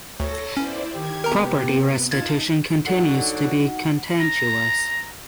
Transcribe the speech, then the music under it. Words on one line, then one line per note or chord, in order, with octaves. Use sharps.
Property restitution continues to be contentious.
D2 A4 C#5 A#6
B3 C#4 E4 C5 D5
D#3 G4 G#6
C3 B3 A#4 A#5
D#4 F4 A5 G#6 A6
F#2 D3 F#3 D#4 F#4 C#5 F#5
A#5